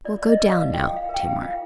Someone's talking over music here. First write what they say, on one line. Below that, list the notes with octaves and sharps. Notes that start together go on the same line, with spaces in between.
'We'll go down now, Tamar.'
F4 D5
D5
D#5
A#4
F5
F4 G5
F5
A#4
G5
F5
F4 F5